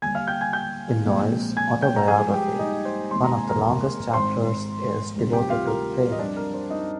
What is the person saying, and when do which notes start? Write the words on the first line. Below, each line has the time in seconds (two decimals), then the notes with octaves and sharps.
In Noyes' autobiography, one of the longest chapters is devoted to Pain.
0.02 D#2 D3 G3 G#5 G#6
0.15 F5 F6
0.27 G5 G6
0.41 G#5 G#6
0.53 G5 G6
1.05 A#1 A#2 G#3 C4
1.57 G#5 G#6
1.82 G5 G6
1.96 A#5
2.08 G2 F3 G#3 G#4 G#5
2.34 G4 G5
2.59 D#4 D#5
2.85 C5
3.11 D#2 D#3 G#3 C4 C6
3.24 A#5
3.37 G#5
3.49 A#4 A#5
4.13 G#1 G#2 D#3 G#3 C5 C6
5.16 D2 C3 D#3 G3 C4
5.33 G4 G5
5.50 F4 F5
5.67 A#4
6.12 D#5
6.18 G2 F3 C4 D4 D5
6.36 A#4
6.54 C5
6.70 D#4 D#5